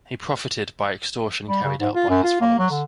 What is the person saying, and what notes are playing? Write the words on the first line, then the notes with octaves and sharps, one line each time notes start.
He profited by extortion carried out by his followers.
G3
C#3
G#2
F4
F#2
F4
A#3
F#3
D3